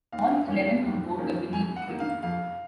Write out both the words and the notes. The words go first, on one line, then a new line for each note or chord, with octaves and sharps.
All eleven on board were believed killed.
D#2 F5
D#3 A#3 C#4
D#2
D#3 A#3 C#4
F2 G#5
F#5
D#3 A#3
F5
F2 F5